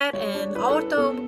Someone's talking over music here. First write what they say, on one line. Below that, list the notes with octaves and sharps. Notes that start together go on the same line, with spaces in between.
and "auto,"
G3 C#5
D4
E4 B4
A4
C#4
B3 A4